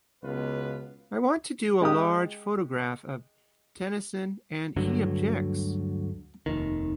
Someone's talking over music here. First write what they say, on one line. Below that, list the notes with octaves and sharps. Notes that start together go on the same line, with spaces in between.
I want to do a large photograph of Tennyson and he objects!
C#2 B2 B3 F4 B4
G#3 G4 D#6
D2 G2 D3 F#3
F1 D#2 D#3